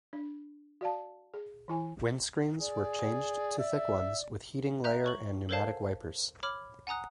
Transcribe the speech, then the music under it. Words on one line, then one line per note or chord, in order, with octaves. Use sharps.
Windscreens were changed to thick ones with heating layer and pneumatic wipers.
D4
F#4 D5 F5 A5
G#4
E3 E4 G#5
G#4 D5
E5
E5 A#5 F#6 G6
C#5 C#6 F#7
A4 A#4 C5 C#5 F5 A5
C#5 B5 D6 F6
F#5 G#5 A#5 D#6 F#6